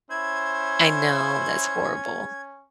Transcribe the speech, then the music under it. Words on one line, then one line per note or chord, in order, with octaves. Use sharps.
I know, that's horrible.
C#4 E4 C5 G#6